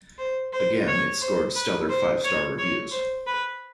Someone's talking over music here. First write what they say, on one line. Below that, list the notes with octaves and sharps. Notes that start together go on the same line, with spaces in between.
Again, it scored stellar five-star reviews.
C5
C5
C#5
C5
B4
C5
C#5
C#5
C5
B4